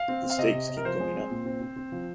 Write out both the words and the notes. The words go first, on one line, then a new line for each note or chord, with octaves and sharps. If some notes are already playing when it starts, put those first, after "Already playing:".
The stakes keep going up.
Already playing: F5
C4
C4
F5
C3 D#5
C3
C3
A#4
F3 C5
G#3
C4
A#2
C4
C4
C4
F3